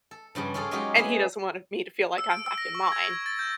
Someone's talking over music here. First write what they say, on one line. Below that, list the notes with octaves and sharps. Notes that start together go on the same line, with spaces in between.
and he doesn't want me to feel like I'm back in mine,
A4
G2 C#3 F3 G3
C#4 F4 G#4 A4 D5 F5
F#3 G#3 C#4 D#4 F4 G4
G#4 B4 D#5 E5
E6
D7
E6
A#6
C#6
G#6
G#6
A6
G6